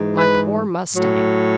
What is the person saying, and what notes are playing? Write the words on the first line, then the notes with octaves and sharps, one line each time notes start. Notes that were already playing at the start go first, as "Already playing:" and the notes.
"My poor mustang!"
Already playing: G#2 E3 G#3
B4
A2 F#3